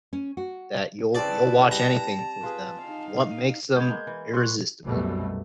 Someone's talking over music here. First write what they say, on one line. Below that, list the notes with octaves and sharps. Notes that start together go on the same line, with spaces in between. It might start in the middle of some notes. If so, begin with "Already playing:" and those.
that you'll you'll watch anything with them? What makes them irresistible?
C#4
F#4
C#3 C4 E4 B4 D5 A5
G3 A#5
F4 G#4 B4
D#4 F5
G#3 B3 G6 G#6
G#3 A#3
E3
G2 C6 C#6 F#6
C2 F#2 B2 G3 A3